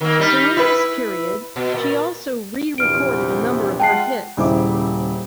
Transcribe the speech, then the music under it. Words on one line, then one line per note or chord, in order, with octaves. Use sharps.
During this period, she also re-recorded a number of her hits.
D#3 A#3
G3 D#4
E4 B4
B2
A#2
A#1 E2 C3 F6 D7
G#3 F4 F#5 G5 A5 C7
D#1 C#3 E4 C5 E5 D6